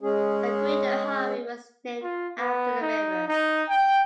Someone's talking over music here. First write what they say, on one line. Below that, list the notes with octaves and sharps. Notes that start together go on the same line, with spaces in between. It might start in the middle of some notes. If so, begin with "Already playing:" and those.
The Gwydir Highway was named after the river.
G#3 C#4 G#4
F4
B3
D#4
D#4
G5